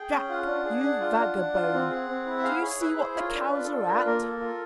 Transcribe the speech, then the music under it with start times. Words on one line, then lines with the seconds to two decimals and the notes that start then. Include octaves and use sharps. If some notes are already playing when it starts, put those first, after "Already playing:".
"Jack, you vagabone, do you see what the cows are at?"
Already playing: G#4 G5
0.12 C#4
0.29 F4 F#5
0.46 D4
0.65 G#4
0.83 D4
1.01 F4
1.19 D4
1.37 D4
1.54 F4
1.73 C4
1.90 G#4
2.08 C4
2.26 E4
2.38 E5
2.43 G#4 F5
2.62 G#4 C#5
2.80 E4 B4
2.97 G#4 C5
3.15 F4 C#5
3.29 D4 A#4
3.40 B4
3.51 F4
3.64 D4 A4
3.87 F4 A#4
3.96 B4
4.06 A#3 A#4
4.23 A4
4.40 F4